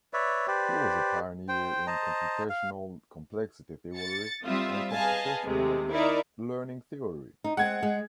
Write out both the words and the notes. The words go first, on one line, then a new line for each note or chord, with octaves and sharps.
He was a pioneer in computational complexity theory and computational learning theory.
B4 C#5 D5 E5
G4 B4 C5 D5
C5 G5
C5 D#5 A5 A#5
F5
A6 C#7
G3 C4 F4 E5 D#6
G#4 B4 D#5 F5 G#5 A5
D#2 C3 G#3 A3
D#4 E4 A#4 D5 E5
D#4
G#3 C4 F#5 G#6
G#3